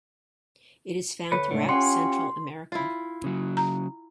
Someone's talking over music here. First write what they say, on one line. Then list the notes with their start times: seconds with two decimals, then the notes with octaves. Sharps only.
It is found throughout Central America.
1.32 D2 A3 B4 C#5
1.51 C2 G#2 D3 A3
1.69 C#4 F4 G4 F#5 C6
2.72 E4 F4
3.24 C#3 F#3
3.57 A#5